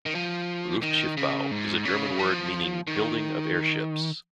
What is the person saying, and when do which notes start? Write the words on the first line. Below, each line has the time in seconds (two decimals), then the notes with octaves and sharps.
'Luftschiffbau' is a German word meaning "building of airships".
0.06 D#3
0.15 F3
0.83 D#3
1.17 C#3
1.51 G#2
1.85 C#3
2.19 F3
2.87 D#3